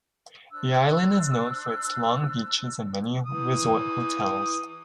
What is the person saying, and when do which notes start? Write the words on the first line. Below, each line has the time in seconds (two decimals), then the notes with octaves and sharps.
The island is known for its long beaches and many resort hotels.
0.51 D4 C5 E6 F#6
3.26 E3 D#6